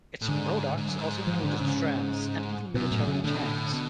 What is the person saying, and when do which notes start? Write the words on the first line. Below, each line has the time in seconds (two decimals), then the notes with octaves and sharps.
Its products also included trams and even military tanks.
0.22 A2
0.28 G#2 D3
0.77 G#2
0.88 F#2
0.99 G#2
1.27 F3
1.44 D3
1.60 C#3
2.74 F#2 B2
2.91 A2
3.07 C#3
3.24 A2 D3
3.35 B2
3.46 A2
3.73 B2